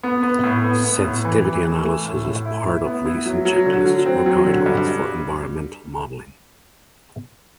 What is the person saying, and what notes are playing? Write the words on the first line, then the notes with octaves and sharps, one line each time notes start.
Sensitivity analysis is part of recent checklists or guidelines for environmental modelling.
B3
B3
A2
B3
B3
A2
E3
E3
A3
A3
A2
A2
E4
E4
B3
E4
F#3
F#3
D3
F#3
C4
F#3
D3
G2